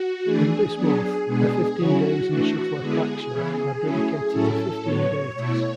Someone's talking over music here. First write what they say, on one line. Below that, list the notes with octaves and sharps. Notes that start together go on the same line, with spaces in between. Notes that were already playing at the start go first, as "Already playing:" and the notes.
In this month, the fifteen days in Shukla paksha are dedicated to fifteen deities.
Already playing: F#4
E3 A3 D4 G#4
F#3 B3 D4 G#4
B2 G#3 B3 D4 G#4
C#3 F#3 C#4 E4 F#4
E3 A3 D4 F#4
D3 G#3 B3 E4 G#4
C#3 E3 B3
F#3 A3 C#4 E4
A2 F#3 C#4 E4 A4
A2 F#3 B3 C#5
B2 A3 E4